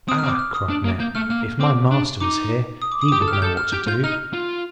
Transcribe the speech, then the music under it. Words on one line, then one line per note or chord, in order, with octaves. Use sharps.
"Ah!" cried Neb, "if my master was here, he would know what to do!"
C4 D#6
F6
C4
D6
F6
D#6
D4
A#3
A#3 G6
A3 F6
A#3 F6
C4 D6
D4
D#4 D6
D#6
D6
D#6
D6
G4 D#6
A4
F6
G4
A4 G6
F6
G4 G6
F4 G6
D#4 F6
F4